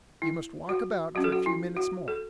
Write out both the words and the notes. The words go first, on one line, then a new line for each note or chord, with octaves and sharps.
You must walk about for a few minutes more.
E4
F#4
F#3 C#4 F#4
A4
F#4
E4
F#4
A4